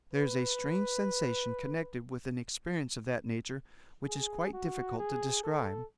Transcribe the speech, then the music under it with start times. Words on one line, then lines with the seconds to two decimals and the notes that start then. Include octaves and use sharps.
There is a strange sensation connected with an experience of that nature which is quite difficult to describe.
0.13 B4
4.07 G#4
4.53 F#4
4.99 G#4
5.44 A4